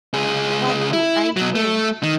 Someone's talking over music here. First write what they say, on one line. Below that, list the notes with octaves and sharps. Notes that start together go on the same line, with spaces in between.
What do I hear?
C#2 G#4
E4
B2 F#3
A3
D#3